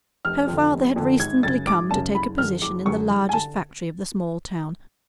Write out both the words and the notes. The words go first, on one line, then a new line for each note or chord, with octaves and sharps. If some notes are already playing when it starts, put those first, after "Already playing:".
Her father had recently come to take a position in the largest factory of the small town.
F1 F6
F2
D3
F1
F2 D3
G#1 G#6
F#2 C#3 A6
G#1 D6
F#2 C#3 A5
F#1 B5
F#2 D3 F6
F#1 D6
F#2 D3 C#6
F#1
G#5
D3 A5